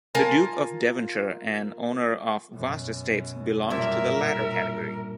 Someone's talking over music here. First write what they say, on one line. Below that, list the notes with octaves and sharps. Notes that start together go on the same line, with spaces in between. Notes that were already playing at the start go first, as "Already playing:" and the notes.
The Duke of Devonshire, an owner of vast estates, belonged to the latter category.
F4 A#4 G#5 A5
F#2 B2
G2 A#2 A#4 E5